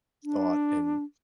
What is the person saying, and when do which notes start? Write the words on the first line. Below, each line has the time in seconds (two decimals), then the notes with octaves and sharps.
thought and
0.24 D4